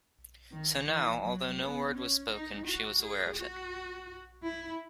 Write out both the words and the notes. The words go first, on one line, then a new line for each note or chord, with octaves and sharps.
So now, although no word was spoken, she was aware of it.
D#3
E3
F#3
B3
C#4
D#4
F#4
G#4
F#4
E4